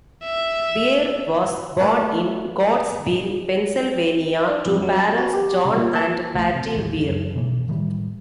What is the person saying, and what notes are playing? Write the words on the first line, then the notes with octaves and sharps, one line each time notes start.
Weir was born in Coatesville, Pennsylvania, to parents John and Patti Weir.
E5
A3 A4 B4 C#5 F5 A5
D4
F2
F#3
A5
F#4
G4
C2
A#2
A5
C2 E3 A3
C3
A1 D#2 E3
C#2 F#2
G1 B2 E3 A#3
A2 D#3 E3 G3